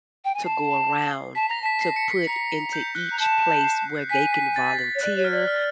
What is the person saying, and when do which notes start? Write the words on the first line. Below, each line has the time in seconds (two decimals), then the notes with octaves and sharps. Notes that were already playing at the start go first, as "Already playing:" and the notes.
to go around, to put into each place where they can volunteer,
0.24 G5
0.34 G#5
0.44 A5 C7
1.35 A5 B6
1.48 A#5 A#6
1.62 A5 B6
1.81 C7
1.96 C#7
2.11 C7
2.27 A#5 B6
2.73 G6
2.95 F#6
3.11 A#5
3.18 A5 G6
3.64 C7
4.09 G#5 B6
4.33 B6
4.56 A6
4.95 C#5
5.01 D5 F#6
5.16 C#5
5.24 F6
5.32 D5
5.47 F6